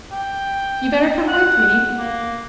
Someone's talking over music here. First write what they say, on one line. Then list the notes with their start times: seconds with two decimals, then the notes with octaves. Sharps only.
You'd better come with me.
0.12 G5
1.28 F#5
1.99 A#3